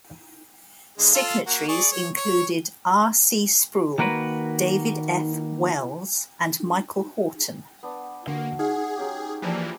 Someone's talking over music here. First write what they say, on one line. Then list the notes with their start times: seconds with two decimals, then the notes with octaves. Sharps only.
Signatories included R. C. Sproul, David F. Wells, and Michael Horton.
0.98 D3 G#3
1.15 F4 A4 F5
1.47 A#3 F#4
1.68 G#4 D5 C#6
1.92 C#5
2.16 C#5 C#6
3.98 D#3 A#3 F#4 A#4 B4
7.83 B3 D4
8.27 D3 A#3 F#4 C6
8.59 D#4 G#4 F5 F#5 C#6
8.96 F#3 C#4 G4
9.42 E3 F3 G3 A#3 D4 G#4